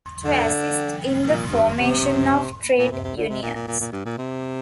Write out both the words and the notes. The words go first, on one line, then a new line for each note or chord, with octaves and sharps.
To assist in the formation of trade unions.
D3
A#2
G2
C3
A#2
C3
C3
D3
C3
A#2
A#2
A#2
A#2
G2
A#2
C3